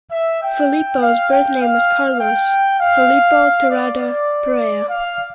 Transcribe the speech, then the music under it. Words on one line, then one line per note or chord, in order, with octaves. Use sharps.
Filipo's birth name was Carlos Filipo Tirado Perea.
E5
G5
F5
G5
F5
G5
F5
D5
D5
F5